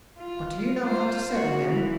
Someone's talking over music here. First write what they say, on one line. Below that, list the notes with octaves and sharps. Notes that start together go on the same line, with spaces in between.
'But do you know how to settle him?
F4
F4 C5
A#3 F#4
E3